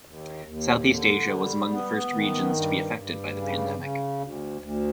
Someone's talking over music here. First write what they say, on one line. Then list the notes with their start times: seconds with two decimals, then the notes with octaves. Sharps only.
Southeast Asia was among the first regions to be affected by the pandemic.
0.05 D#2
0.46 D#2
0.87 D3
1.29 G3
1.71 B3
2.11 D#3
2.53 G2
2.95 G2
3.36 C#3
3.77 C#3
4.20 D2
4.61 D2